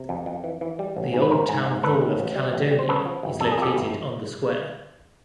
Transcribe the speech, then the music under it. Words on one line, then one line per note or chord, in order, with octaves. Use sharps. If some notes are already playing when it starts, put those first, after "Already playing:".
The Old Town Hall of Caledonia is located on the square.
Already playing: C3
F2
F2
E3
E3
G3
A1
G#2
B4
A1 A#4 C5
G#2
G#2
G#2 A4 B4
D#3
A1
G3
A1
G3
C5
C#3 A4 B4
F3
G1
F2 A4
G#4
F2 G4 A4
G1